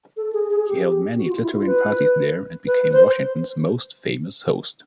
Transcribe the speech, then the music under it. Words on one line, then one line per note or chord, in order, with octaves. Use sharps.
He held many glittering parties there and became Washington's most famous host.
A4
G#4
G#4
G4
F#4
F4
E4
F4
B4
B4
C5